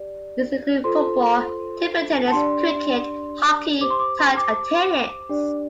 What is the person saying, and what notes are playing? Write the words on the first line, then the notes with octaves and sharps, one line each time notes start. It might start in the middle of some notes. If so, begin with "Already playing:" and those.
These include football, table tennis, cricket, hockey, touch and tennis.
Already playing: G4 D5
F4 A4 C5 C6
A5
D4 G4 D5 C6
G4 C5 D6
C6
D6
C6
D6
D4 G4 D5